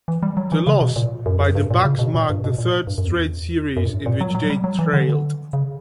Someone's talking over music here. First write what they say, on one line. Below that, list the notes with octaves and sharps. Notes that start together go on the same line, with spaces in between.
The loss by the Bucks marked the third straight series in which they trailed.
E3
G3
F#3
E3
C#3
B2
A#2
F#2
F#2
G2
A#2
C#3
B2
A#2
G2
B2
A#2
G2
F#2
E2
F#2
A#2
G2
A#2
F#3
F#3
G3
F#3
E3
D3
C#3